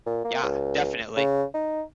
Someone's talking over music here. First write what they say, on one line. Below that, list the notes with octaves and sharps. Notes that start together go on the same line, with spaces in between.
Ya definitely!
A#2
A#3
C#2
C#3
D#4